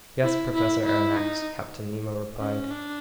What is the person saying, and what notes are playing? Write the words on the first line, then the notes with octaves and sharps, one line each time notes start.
"Yes, Professor Aronnax," Captain Nemo replied.
E4
E4
E4
D#4
C#4
D4